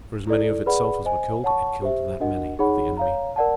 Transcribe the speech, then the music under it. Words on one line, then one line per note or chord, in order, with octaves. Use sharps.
For as many of itself as were killed, it killed that many of the enemy.
E4 A4 D5
G#4 B4 D5 F#5 B5
C5 D#5 G#5
C#5 F#5 A5 C#6
G4 C5 E5
D4 F#4 A#4 D#5 F#5
D#4 G#4 C#5 F#5 B5
C#5 F5 A#5
A#4 D5 F#5 A5